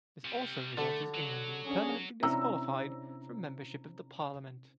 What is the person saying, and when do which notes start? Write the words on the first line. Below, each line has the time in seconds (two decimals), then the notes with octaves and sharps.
This also resulted in him being permanently disqualified from membership of the parliament.
0.25 C3 G3
0.78 D3 A3
1.14 F#3
1.66 C#4 D4 G#4
2.23 C3 C#4 D4 E4 A#5 E6